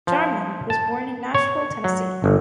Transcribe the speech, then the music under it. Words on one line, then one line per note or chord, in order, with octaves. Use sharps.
Jarman was born in Nashville, Tennessee.
F3
A5
C#5
F#3
G1